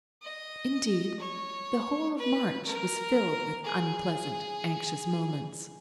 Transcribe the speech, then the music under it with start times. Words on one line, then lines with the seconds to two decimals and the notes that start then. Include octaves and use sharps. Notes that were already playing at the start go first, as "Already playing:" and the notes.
Indeed, the whole of March was filled with unpleasant, anxious moments.
0.22 D#5
1.20 C#5
2.18 B4
2.66 A#4
3.64 G#4